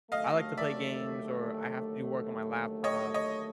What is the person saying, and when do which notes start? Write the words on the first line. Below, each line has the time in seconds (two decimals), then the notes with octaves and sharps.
I like to play games or I have to do work on my laptop
0.11 D#2 D3 F#3 A3 D#5 F5
0.57 D5 E5
2.84 C#5 D#5
3.14 C#5 D#5